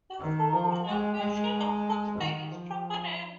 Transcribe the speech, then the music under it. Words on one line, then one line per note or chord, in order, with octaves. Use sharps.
The farmer will not mention a fox by its proper name.
D#3
F3
G#3
G#3
D#3
F3